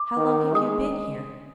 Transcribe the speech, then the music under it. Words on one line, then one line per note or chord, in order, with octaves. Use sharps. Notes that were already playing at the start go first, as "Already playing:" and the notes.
"How long have you been here?"
Already playing: D6
D#3
G#3 D#6